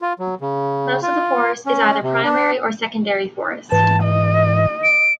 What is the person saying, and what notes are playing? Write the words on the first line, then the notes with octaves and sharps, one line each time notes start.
Most of the forest is either primary or secondary forest.
F4
F#3
C#3
F4
C#4
C3
D4
G#2 E3 A5
D#5
D7